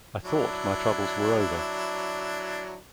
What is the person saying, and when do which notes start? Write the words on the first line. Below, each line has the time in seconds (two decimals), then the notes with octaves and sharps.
I thought my troubles were over.
0.24 F#3 D4 E4